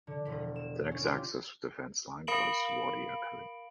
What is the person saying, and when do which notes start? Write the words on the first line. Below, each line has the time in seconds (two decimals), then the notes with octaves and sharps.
The next Axis defence line was at Wadi Akarit.
0.07 D3
0.26 E1
0.56 E7
0.91 C#4
1.04 F4 G4
2.27 A#4 F5 B5 D7 F#7